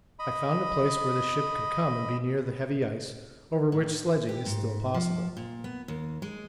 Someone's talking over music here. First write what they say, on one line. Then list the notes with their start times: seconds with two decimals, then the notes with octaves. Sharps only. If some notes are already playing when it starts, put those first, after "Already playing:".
I found a place where the ship could come and be near the heavy ice over which sledging is still possible.
0.19 D#5 B5
3.72 A2
4.29 G4
4.46 G#2
4.94 F3
5.37 A#2
5.64 B3
5.88 D#2
6.22 G#3